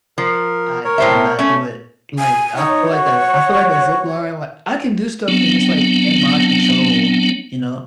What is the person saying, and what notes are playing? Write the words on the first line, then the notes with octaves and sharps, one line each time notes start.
I cannot do it, like, I feel like the I feel like the zipline, like I can do stuff when it's, like, in my control, you know?
F3 A#4
A#4 C#5
A2 C5 E5
A3 C#4
G#5
D#4 C#5
F#4
F#3 B3 C4 D4